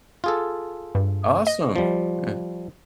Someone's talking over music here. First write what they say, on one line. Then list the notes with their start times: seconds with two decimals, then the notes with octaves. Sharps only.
Awesome. Eh.
0.24 F4 G#4 A4
0.95 G2
1.47 D#5
1.76 F3 G3